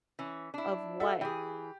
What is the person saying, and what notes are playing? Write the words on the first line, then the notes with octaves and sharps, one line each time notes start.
of what
E3 C#4
D4 E4
F#4 A4 E5
E3 G4 G#4